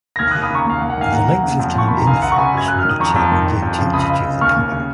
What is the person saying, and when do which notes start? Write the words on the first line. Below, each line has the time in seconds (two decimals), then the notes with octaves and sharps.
The length of time in the furnace will determine the intensity of the color.
0.16 A#6
0.19 D#2 F6 G#6
0.31 D#6 F#6
0.35 D#2
0.43 B5 D#6
0.50 C#3 A#5 C#6
0.66 D#2 F5
0.78 F#5
0.82 D#2
0.90 F#5
0.98 D#3 F5 G#5
1.12 D#2 F#5 A#5
1.29 D#2
1.44 C#3
1.59 F2
1.75 F2 C#6
1.88 D#3 B5
1.97 A#5
2.06 C#2 F5 G#5
2.22 C#2 F#5 A#5
2.32 C#6
2.38 C#3 G#5 B5
2.54 F#2 G#6
2.68 F#2 F#6
2.79 F6
2.85 D#3 D#6
3.00 F2 A#5 C#6
3.16 F2
3.32 D#3
3.47 F2
3.62 F2
3.78 C#3
3.93 C#2 B5 D#6
4.09 C#2
4.25 C#3
4.41 D#2 C#6 F6
4.56 D#2
4.72 C#3